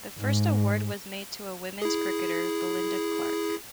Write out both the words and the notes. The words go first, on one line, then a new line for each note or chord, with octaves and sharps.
The first award was made to a women's cricketer, Belinda Clark.
G#2
E4 G#4